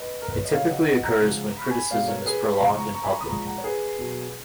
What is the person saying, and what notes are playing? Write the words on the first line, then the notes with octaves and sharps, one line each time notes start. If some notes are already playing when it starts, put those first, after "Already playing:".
It typically occurs when criticism is prolonged and public.
Already playing: B4 D#5
A#4
B4
C#5
D#5
C#3 F#3 C#5 F5
D#5 F#5
D#5 F#5
F#5 A#5
C#3 F3 G#3
B5
C#6
G#5 B5
B2 G#3 C#5 F5
A#4 C#5
G#4 B4
C#6
B5
C#3 F3 G#3 F#5 A#5
A#5 C#6
A#5 C#6
G#5 B5
A#5 C#6
B5 D#6
A#2 F3 G#3 A#5 C#6
F#5 A#5
C#5
G#4 B4
B2 F#3